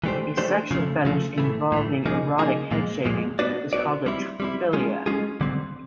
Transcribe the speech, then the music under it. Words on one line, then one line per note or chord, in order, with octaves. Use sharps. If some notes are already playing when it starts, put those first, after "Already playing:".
A sexual fetish involving erotic head shaving is called a trichophilia.
E3 A3 D4 G4 C5
E3 A3 D4 G4 C5
C#3 F3 A3
C#3 F3 A3
A2 E3 A3
A2 E3 A3
C#3 F3 A#3 D#4 G#4
C#3 F3 A#3 D#4 G#4
A#2 F3 G#3
A#2 F3 G#3
B3 D4 F#4 B4 D5
B3 D4 F#4 B4 D5
G3 C4 E4
G3 C4 E4
G#3 C#4 F4 G#4
G#3 C#4 F4 G#4
D3 G3 C4